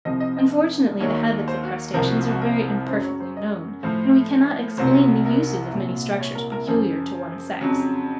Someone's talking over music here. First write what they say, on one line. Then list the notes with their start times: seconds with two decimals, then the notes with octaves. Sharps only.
Unfortunately the habits of crustaceans are very imperfectly known, and we cannot explain the uses of many structures peculiar to one sex.
0.05 C2 C3 F3 D#5
0.20 D#5
0.37 D#5
1.00 D#2 D#3 F#3 C#5
1.48 C5
1.63 F#4
1.94 C2 C3 F3 A#4
2.06 F#4
2.19 F4
2.30 F#4
2.42 A#4
2.89 F#2 C#3 F#3 C5
3.04 C#5
3.20 C5
3.37 D#5
3.83 A2 F3 C5
4.77 C2 C3 F#3 C5
5.26 A#4
5.72 C2 A#2 F#3
6.20 C#5
6.35 A#4
6.52 A#4
6.67 F#2 C#3 F3
7.61 F2 C#3 F#3